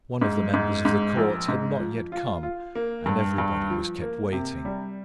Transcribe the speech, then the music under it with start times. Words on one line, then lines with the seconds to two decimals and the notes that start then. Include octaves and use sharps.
One of the members of the Court had not yet come, and everybody was kept waiting.
0.22 G#2
0.54 G#2
0.85 G#2
1.17 A#1
1.48 G#2
1.79 F3
2.12 F4
2.43 F4
2.75 A#3
3.06 G2
3.38 G2
3.70 F3
4.01 A#3
4.33 C3
4.65 G3